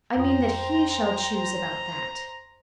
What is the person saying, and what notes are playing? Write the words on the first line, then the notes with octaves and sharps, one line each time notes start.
"I mean that he shall choose about that."
F2 F4 C5 G5 A#5 D#6